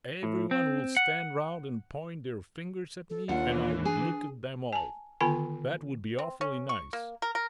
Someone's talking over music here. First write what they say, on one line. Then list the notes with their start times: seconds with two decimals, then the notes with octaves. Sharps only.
Every one will stand round and point their fingers at me and I would look at them all. That would be awfully nice.
0.23 A2
0.51 C4
0.97 F#5
3.10 A4
3.29 D#2 D4 F4 F#5
3.51 E3
3.85 D4 G#4
4.73 G#5 A5
5.21 D3 D#3 B3 F4 G#5 B5
6.19 C4
6.41 C#4
6.69 C#6
6.93 A#3
7.22 A#4
7.35 A#4